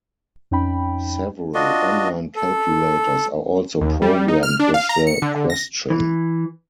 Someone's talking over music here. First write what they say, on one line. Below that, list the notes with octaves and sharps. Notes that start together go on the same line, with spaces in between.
Several online calculators are also programmed with the Question.
F2 C#4 D#4 G5 B5
D4 F4 F#4 D#5
A4
D#2
G3
D#4
F6
D4
F5
A#5
C#7
D3
D3
A#6
E3